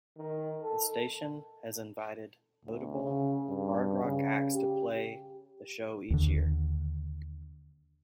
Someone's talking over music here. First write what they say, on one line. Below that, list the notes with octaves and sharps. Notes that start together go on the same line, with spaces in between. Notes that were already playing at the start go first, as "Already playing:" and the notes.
The station has invited notable hard rock acts to play the show each year.
D#3
A4
D2
C#3
G2
C#3
G4
D#2 D3